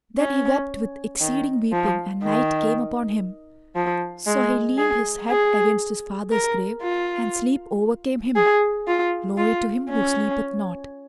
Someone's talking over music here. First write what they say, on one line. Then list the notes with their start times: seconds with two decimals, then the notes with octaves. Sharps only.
Then he wept with exceeding weeping and night came upon him; so he leant his head against his father's grave and sleep overcame him: Glory to him who sleepeth not!
0.19 C#4
1.21 D#3
1.72 F3
2.23 D#3
3.76 F3
4.27 G#3
4.78 G#4
5.29 G#4
6.31 A#4
6.82 F4
8.35 G#4
8.87 F4
9.37 F4
9.89 C#4